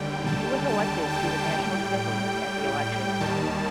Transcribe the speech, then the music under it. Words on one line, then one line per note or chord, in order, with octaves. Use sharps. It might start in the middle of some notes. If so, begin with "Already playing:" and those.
She was elected to the National Assembly at the election.
Already playing: D#2 D3 G3 G5
A5
A5
G5
A2 G3
D#2 D#3 G3 A5